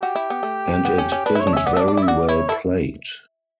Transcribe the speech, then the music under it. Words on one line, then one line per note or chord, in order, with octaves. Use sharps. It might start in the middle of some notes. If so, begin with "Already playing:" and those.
And it isn't very well played.
F#4 G4
E4
B3
A3
B3
C#4
C#4
D4 B4
E4
C#5
D4
C#4 E5
B3 D5
E5
D4
D5
D4
E4 D5
E5
F#4 D5
E4 C#5
E4 A4